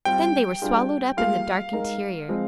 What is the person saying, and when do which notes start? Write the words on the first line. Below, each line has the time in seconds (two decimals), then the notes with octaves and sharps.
Then they were swallowed up in the dark interior.
0.05 G3 C4 F4 G5
0.62 G3 D4 F4 G#4
1.17 G3 A#3 F4 G#4 F5
1.73 G#3 D#4 A#4
2.29 F3 G#3 C4 F4